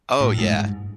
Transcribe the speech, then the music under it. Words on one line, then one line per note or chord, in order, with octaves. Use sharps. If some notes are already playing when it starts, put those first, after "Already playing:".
Oh, yeah.
A2
G#2
G2